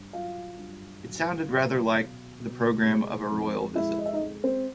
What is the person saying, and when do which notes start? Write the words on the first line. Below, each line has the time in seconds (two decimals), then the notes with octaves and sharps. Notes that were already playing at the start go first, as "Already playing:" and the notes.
It sounded rather like the programme of a Royal visit.
Already playing: G2
0.13 F#3 F4 F5
0.58 G2
1.04 F#3
1.49 F#3
1.95 B2
2.40 B2
2.85 G#3
3.31 F2
3.75 G#3 E4 E5
3.98 D#5
4.06 E5
4.13 D#4 D#5
4.21 G#3
4.44 C4 C5